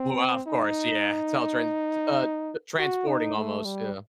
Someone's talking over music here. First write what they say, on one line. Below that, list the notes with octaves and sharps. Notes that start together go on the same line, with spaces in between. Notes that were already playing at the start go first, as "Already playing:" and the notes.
Well, uh, of course. Yeah. It's all trans t uh, eh, transporting almost. Yeah.
Already playing: C4
D#4
F#4
D#4
A3
G3